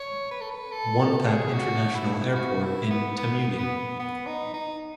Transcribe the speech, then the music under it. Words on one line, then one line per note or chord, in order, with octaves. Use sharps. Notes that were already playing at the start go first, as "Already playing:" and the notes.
Won Pat International Airport in Tamuning.
Already playing: C#5
B4
A4
B4
A4
A4
G#4
F#4
E4
F#4
E4
B3
B3
B3
B3
D#4
D#4